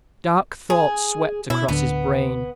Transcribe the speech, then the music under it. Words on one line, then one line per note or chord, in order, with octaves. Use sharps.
Dark thoughts swept across his brain.
G#4
B2 E4
D1 D3 B3